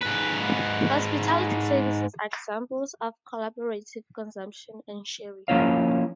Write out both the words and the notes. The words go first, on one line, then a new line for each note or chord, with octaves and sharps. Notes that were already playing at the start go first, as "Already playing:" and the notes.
Hospitality services are examples of collaborative consumption and sharing.
G#2 B4
F3 A#3 C#4 E4 C#5 F5